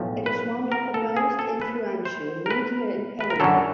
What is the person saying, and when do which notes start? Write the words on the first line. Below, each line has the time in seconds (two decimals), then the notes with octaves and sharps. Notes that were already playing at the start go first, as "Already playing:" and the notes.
It is one of the most influential media in Peru.
Already playing: B1 A2 F3
0.26 B4
0.72 A#4
0.94 A4
1.17 G#4
1.39 A4
1.61 B4
2.05 C5
2.46 A#4
2.51 B4
3.20 B4
3.30 A#4
3.40 F#2 D3 F#3 A4